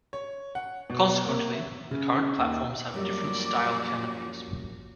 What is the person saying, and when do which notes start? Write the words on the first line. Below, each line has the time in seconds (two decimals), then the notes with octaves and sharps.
Consequently, the current platforms have different style canopies.
0.13 C#5
0.55 F#5
0.90 B2
1.25 A#3
1.53 E5
1.91 C#3
2.38 D#2
2.94 F#2 F3 G3 A#3 F#4 D5